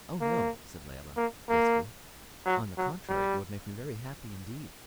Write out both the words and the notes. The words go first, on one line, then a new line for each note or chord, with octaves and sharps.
"Oh no," said Layelah, briskly; "on the contrary, it would make me very happy indeed."
A#3
A#3
A#3
F#3
F#3
G3